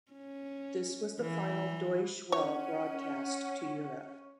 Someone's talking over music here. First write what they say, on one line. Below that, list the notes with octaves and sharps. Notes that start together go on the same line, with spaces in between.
This was the final Deutsche Welle broadcast to Europe.
C#4
E3
C#4 C#5 F#5